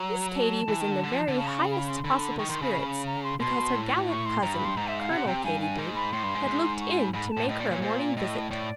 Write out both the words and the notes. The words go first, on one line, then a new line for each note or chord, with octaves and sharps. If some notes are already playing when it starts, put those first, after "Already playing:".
Miss Katy was in the very highest possible spirits, because her gallant cousin, Colonel Katy-did, had looked in to make her a morning visit.
Already playing: F#3 A#5
A5
E3
D#3
D3
D3
F3
D3
C#3 A5
C#6
B5
B5
C6
D3 B5
D#3 C#6
D#3 C6
C#3 B5
A#5
C6
B2 C6
A2
C#6
C6
G2 A#5
B5
C6
G#2 A#5
E5
F5
C3 F#5
C3 G5
G2 G#5
G#5
G#2
B5
A2 C6
G2
G#2
G#2
C#6
C6
B5
G#2 B5
A5
A2
A2 D#5
A#2 D5
A#2 C#5
A#2 C5
D5
A2 D#5
A2 D5